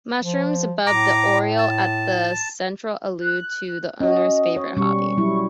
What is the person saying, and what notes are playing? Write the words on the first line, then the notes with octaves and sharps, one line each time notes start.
Mushrooms above the oriel at the center allude to the owner's favorite hobby.
F3
A2 A#5 D6
A5
F#6
C#4 F#4 D#5
C#5
B2 G3 C#4 C#6
F#3 G3 E4